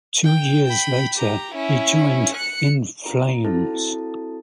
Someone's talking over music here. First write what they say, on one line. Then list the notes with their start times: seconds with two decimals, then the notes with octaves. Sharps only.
Two years later he joined In Flames.
0.24 G5
0.65 G5 B5
1.17 G4 A#5
1.55 C#4 E4
2.35 F#6 C#7
3.06 A#5
3.45 C4 E4 F#4 A4 A5 A6